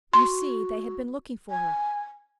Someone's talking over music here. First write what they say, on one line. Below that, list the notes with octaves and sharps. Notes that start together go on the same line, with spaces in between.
You see, they had been looking for her.
F#4 C6
G#5